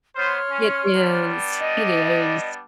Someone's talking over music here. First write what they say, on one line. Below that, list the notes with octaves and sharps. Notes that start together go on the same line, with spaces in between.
It is. It is.
B3 C5 C#5 C6 F6
C#4
G3 B3 D4
D#5